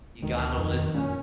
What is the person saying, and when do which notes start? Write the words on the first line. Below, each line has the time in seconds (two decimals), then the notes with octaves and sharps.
You gotta listen.
0.23 D2 D#3
0.58 F2
0.95 A#2 C#4